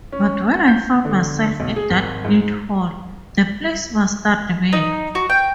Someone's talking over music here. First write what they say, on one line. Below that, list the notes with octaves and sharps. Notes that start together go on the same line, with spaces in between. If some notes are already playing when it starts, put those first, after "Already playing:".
But when I found myself in that neat hall the place mastered me.
C#4
F#5
G6
D3
B1
G#4
G#1
G#2
D#4
F#4
G5